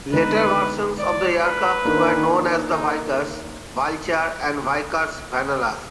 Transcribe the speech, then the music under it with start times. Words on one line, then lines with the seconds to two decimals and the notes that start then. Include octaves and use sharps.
Later versions of the aircraft were known as the Vickers Vulture and Vickers Vanellus.
0.13 D3 G#3 B3 D#4 B4
0.99 D5
1.41 B4
1.84 D#3 A#3 D4
2.69 D#4